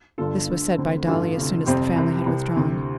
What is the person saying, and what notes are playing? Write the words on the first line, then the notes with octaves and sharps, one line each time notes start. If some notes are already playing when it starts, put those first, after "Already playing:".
This was said by Dolly as soon as the family had withdrawn.
G1 G2 D3 F4 A4
D2 D3
D2 D3 C4
A1 G2 D3 F4 A4
D2 C3
G1 F2 C3 G4 C5
C2 C3
C2 C3
D2 C3